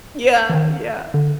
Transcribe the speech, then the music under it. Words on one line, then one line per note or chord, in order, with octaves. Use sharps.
Yeah, yeah.
E3
D#3
D3